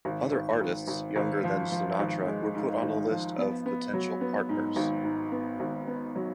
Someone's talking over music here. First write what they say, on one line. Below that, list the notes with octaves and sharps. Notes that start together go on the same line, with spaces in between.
Other artists, younger than Sinatra, were put on the list of potential partners.
G#1
G#1
G#1
G#1
G#1
F3
F3
G#1
G#3
G#2
G#1
F3
B3
B3
F#3
B3
G#2
G#1
G#2
B3
G#1
B3
F#3